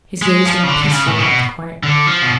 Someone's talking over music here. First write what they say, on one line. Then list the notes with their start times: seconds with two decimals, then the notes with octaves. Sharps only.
His gaze roamed peacefully about the quiet room.
0.22 G#3
0.45 F3
0.63 C#3
0.68 D3
0.84 D3
0.91 C#3
1.07 A2
1.18 C#3
1.23 B2
1.83 D3
2.07 F3
2.22 B2